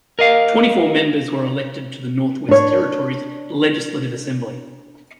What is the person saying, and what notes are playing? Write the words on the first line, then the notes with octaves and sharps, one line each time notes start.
Twenty four members were elected to the Northwest Territories Legislative Assembly.
A#4 D#5 F5
D4 C#5